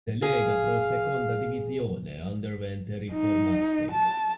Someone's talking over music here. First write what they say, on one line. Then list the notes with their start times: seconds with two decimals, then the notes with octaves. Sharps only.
The Lega Pro Seconda Divisione underwent a reformatting.
0.22 G#4 F5
3.12 D#4
3.92 A5